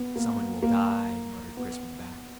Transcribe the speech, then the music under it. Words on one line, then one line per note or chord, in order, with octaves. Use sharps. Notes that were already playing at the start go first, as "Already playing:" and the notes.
"Someone will die," muttered Crispin back.
Already playing: B3
A#3
A#3
B3